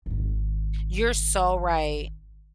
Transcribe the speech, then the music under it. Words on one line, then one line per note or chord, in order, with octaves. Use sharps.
you're so right.
G#1 D#3